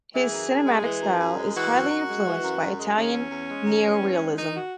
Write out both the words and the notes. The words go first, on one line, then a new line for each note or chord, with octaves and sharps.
His cinematic style is highly influenced by Italian neorealism.
E3 G#4
F#2
F#2
G#3
E3
F#2
F#2
G#3
E3 F#4
F#2
F#2
G#3
E3
F#2
F#2
G#3
D#3 C#4
E2
E2
G#3
D#3
E2
E2
G#3
D#3 D#4
F#4